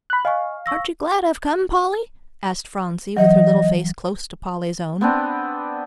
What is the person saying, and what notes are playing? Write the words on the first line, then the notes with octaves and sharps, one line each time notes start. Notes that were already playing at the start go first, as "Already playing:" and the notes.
"Aren't you glad I've come, Polly?" asked Phronsie, with her little face close to Polly's own.
B5 F#6
D#5 F5 G#5 C#6
C#6 E6 A#6
E3 F#3 D#5
B3 C4 D4